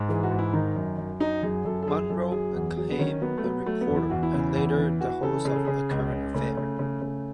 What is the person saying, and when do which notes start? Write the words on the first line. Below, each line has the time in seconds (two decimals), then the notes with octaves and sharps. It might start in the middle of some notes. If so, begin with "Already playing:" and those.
Munro became a reporter and later the host of "A Current Affair".
Already playing: G#2
0.09 E3 G#4
0.23 F#4
0.31 G#2
0.39 E4
0.53 D#3 D#4
0.76 F#2
0.98 F#2
1.20 F#3 D#4
1.43 F#2 G#4
1.65 F#2 A4
1.83 A4
1.88 F#2 G#4
2.10 F#2 A4
2.32 F#3 G#4
2.54 E2
2.77 F#3 G#4
2.91 B3
2.99 D#3 C#4
3.21 F#3 B3
3.38 A3
3.44 F#3 B3
3.66 F#3 A3
3.81 B3
3.89 E2
3.96 E4
4.10 E2 F#4
4.23 E4
4.33 C#3
4.56 E2
4.78 E3
5.01 E3 F#4
5.23 C#3 A4
5.45 C#3 G#4
5.55 A4
5.65 C#3 G#4
5.91 C#2
6.12 C#3
6.34 C#3 A3
6.57 C#3
6.79 C#3
7.02 C#3